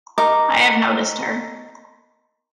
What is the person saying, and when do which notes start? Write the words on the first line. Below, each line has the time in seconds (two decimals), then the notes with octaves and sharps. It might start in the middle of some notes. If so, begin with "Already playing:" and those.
I have noticed her.
0.18 D#4 A#4 A#5 D6